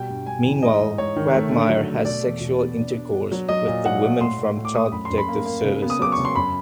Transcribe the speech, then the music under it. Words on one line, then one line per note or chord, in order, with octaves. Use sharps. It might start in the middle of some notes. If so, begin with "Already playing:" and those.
Meanwhile, Quagmire has sexual intercourse with the woman from Child Protective Services.
Already playing: B2 G3 G5
G2
G2 G#5
E3
G#3 D#5
G#2
G#2 C#5
D#3
A3
D3
F#3
A3
B2 D5
E2
B2
B3
D4
D4
D4
F#3
F#3 D#5
A#2
F#3 F#5
A#2
A2 C6
A2
A2
D6
A3 D#6
F#2 B5
F#2 C6
B5
A#3
A#3
C#3
B3
D#6
F#3 D6
C#6
C#3
C6
F#2 B5